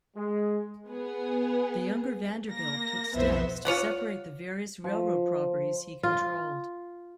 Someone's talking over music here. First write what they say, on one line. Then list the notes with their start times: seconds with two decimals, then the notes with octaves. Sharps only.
The younger Vanderbilt took steps to separate the various railroad properties he controlled.
0.16 G#3
0.88 B3 G#4
2.47 A#3 A#6
3.14 B1 F2 E3 B3 C5 E5
3.65 F4 C#5 D5 F#5
4.84 F3
6.03 F4